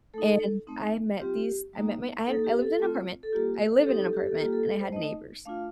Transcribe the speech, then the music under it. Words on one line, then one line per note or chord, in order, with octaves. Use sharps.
and I met these I met my I had I lived in an apartment I live in an apartment and I had neighbors,
A3 D#4 A4
A3 C4 D#4
G3 C4 F4 G4
G3 A#3 D#4
A#3 D#4 A4
G4
A4
A3 C4 F4
A4
G3 A#3 F4 G4
A4
G3 C4 D#4 G4
A4
G4
A4
G3 A#3 F4 G4
A4
C5
A3 D#4 D#5
A3 D4 F4 F5